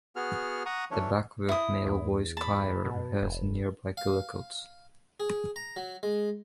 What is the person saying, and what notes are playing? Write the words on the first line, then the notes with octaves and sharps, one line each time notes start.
The Backworth Male Voice Choir rehearse in nearby Cullercoats.
B3 F#4 G#4 F6
F#5 A#5 C#6 D#6
E3 F#3 A3 C#4 D4 C#5
E4 D#6
E2
A5 B5
B2
F1
F5
G#4
A#5
F#3
G#3